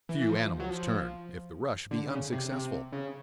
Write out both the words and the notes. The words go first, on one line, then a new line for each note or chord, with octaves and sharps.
Few animals turn, if the rush be unsuccessful.
E3
E3
F3
F#3
F3
D3
C#3
C3
C3
C#3